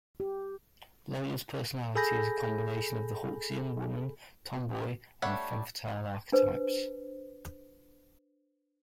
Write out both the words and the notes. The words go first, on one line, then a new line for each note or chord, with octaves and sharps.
Lola's personality is a combination of the Hawksian woman, tomboy and femme fatale archetypes.
G4
G#4 A4 G#5 B5 G6 A#6
G3 A3 D4 C#5 F#5
D4 B4 C5